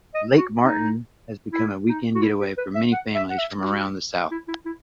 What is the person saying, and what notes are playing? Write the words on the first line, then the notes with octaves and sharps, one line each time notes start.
Lake Martin has become a weekend getaway for many families from around the South.
D#5
F#4
D#4
E4
D#4
F#4
E4
G4
B4
E5
F#5
E5
F#5
E5
F#4
E4
E4
E4